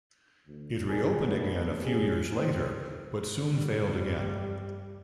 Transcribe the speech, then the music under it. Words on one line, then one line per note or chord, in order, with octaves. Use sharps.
It reopened again a few years later but soon failed again.
D2
G#1 B2 F3 D4 G#4 A#4
F#2 B2 E3 A3 B3 D4
C#4 G4 G#4
C4
G2 G3